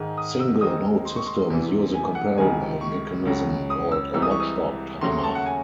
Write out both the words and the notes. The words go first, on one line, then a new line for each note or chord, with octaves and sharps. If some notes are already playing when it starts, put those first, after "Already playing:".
Single node systems use a comparable mechanism called a watchdog timer.
Already playing: G#2 D#3 G#3
D#6
E6
D#2 D#3 G#3 C4 D#6
C6
C#6
C6
E2 C3 E3
G#5
F#5
C#2 C3 D#3 G#3 G#5
C#6
C#2 C#3 F#3
D#6
E6
C2 C3 E3 G#3 C4 E6
D#6
C#6
D#6
D#2 C#3 F#3 A3 C6
C6
A5
F#5
G#5